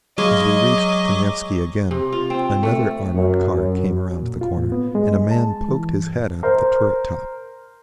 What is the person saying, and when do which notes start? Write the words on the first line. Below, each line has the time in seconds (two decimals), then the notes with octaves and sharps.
As we reached the Nevsky again another armoured car came around the corner, and a man poked his head out of the turret-top.
0.18 F#3 G#3 G#4 D#5 F5 C#6 D6
1.91 C3
2.12 F4
2.30 C4
2.63 A3
3.14 F#2
3.55 F#2
4.23 A#2
4.41 F4
4.57 A2
4.72 B3
4.95 G#3
5.31 A5
5.69 E3
5.97 G2
6.43 A#4 C5